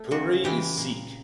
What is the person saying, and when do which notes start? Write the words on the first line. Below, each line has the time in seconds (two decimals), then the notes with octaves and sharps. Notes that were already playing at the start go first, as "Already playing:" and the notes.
Puri is Sikh.
Already playing: A3
0.11 C#3 F#4
0.44 E3 G#3 G4
0.77 A#2